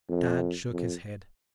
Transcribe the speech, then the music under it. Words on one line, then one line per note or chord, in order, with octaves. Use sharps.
Tad shook his head.
F2
F2